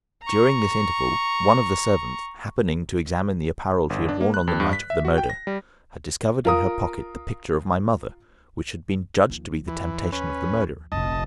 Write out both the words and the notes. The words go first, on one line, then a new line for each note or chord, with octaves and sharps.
During this interval, one of the servants, happening to examine the apparel she had worn on the night of the murder, had discovered in her pocket the picture of my mother, which had been judged to be the temptation of the murderer.
A#5 C#6
G1
D4
A#3
F#6
F2
G2
B6
E5
F#4
G5
A#6
G3
F4 A#4 D#6
D#2 F3
E3
C#4 B4
F1 A#1 D#5 A5